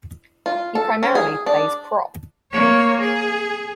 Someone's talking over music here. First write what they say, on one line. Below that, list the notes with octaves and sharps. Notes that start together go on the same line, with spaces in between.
He primarily plays prop.
F4
A4
C#4
G#4
D4
A#3 C#5
G#4